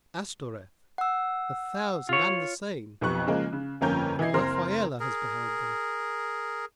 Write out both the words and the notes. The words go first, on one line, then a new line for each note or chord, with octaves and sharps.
Astoreth!--a thousand and the same! And Rafaelle has beheld them!
F#5 E6
F4 C#5
B1 F2 B3 G4 C#6 F#6
C#3 F3 G#3 A#3
C#3
G1 F2 A#3 C#4 A#4 G6
E3 E4 D#5 G#6 C7
F#1 C4 A#4 C6 F6 A#6
G#4 A#4